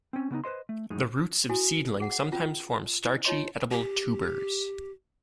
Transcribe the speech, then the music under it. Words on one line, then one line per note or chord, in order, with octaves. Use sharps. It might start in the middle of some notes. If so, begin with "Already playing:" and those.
The roots of seedlings sometimes form starchy, edible tubers.
C4 C#4
C#3 B3 C#4 D#4
B4 C5 D#5 C6
A3
F#2 A2 G#3 D#4
E4 F#4 A4 G#5
G#4 F#5
F#5
C#4 F4
E4
D#4 F4 C#5 D#5 C6
G4